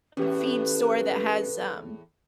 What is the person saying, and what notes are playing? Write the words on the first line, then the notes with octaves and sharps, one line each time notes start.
a feed store that has, um,
E2 A2 C#4 G4 B4